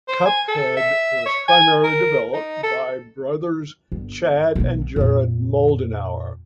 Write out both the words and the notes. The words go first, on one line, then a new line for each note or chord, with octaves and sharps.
Cuphead was primarily developed by brothers Chad and Jared Moldenhauer.
C5
G#5
A4
E5
C#5
G#5
A#4
D#4
A4
G1
B1 B3
F2 A#2